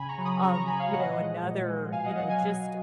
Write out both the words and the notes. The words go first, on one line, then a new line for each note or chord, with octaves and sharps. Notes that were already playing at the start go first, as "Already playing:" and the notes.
um, you know, another, you know, just
Already playing: C#3 G#5 B5
A#5 C#6
F#3
B5 D#6
C#3 A#5 C#6
A#5 C#6
F#3 G#5 B5
C#5 F5
A#2 D#5 F#5
F3 G#3
A#2
F3 G#3
B2 F5 G#5
D#5 F#5
F#3 D#5 F#5
F5 G#5
B2
F#3